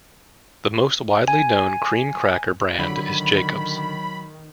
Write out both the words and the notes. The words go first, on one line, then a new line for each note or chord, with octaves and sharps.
The most widely known cream cracker brand is Jacob's.
G#5
D3 D#3 F#3 B5